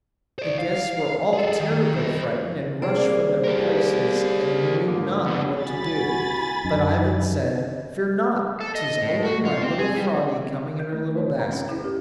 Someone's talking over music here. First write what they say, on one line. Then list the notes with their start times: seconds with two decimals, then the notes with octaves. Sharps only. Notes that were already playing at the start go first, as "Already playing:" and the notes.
The guests were all terribly frightened and rushed from their places, and knew not what to do; but Ivan said: "Fear not, 'tis only my little Froggy coming in her little basket!"
0.39 C5 D5
0.58 F5
1.33 G#4 A4
1.59 D#3
1.96 E4 C5
2.82 C3 D4 G#4 C5 D5
2.97 G3 A#3
3.44 G4 A#4
4.88 G#2 D3 A#3
5.26 C#3 B3 D4
5.59 C2 F#4 G#5 B5 A6
6.65 F#2 D#4
8.61 A4
8.75 D#5
9.02 A2
9.25 F#4
9.45 F4
9.62 C4
9.79 G#4
9.96 G3
10.79 G6
10.93 A3
11.17 C#5
11.39 A#5
11.53 C#4
11.69 E4
11.84 G4